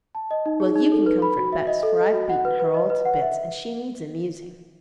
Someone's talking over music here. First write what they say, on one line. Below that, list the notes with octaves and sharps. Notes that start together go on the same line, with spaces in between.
'Well, you can comfort Bess, for I've beaten her all to bits and she needs amusing.
A5
D#5
D#4
G#4
D#4
A4
B4
B5
F#4
E5
D#5
A4
D#5
F#4
F#5
B4
B4
D#5
B4
F#5
E5